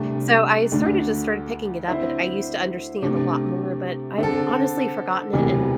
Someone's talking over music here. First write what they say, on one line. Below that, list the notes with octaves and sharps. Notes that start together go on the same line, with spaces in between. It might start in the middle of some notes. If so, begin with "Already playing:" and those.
So, I sorta just started picking it up, and I used to understand a lot more, but I'd honestly forgotten it, and
Already playing: C2 C3 A3 D4
D2 D3 A3 D4
D3 C4 E4 C5 E5
C3 A3 D4
D3 C4 A4
E1 D2 C3 E3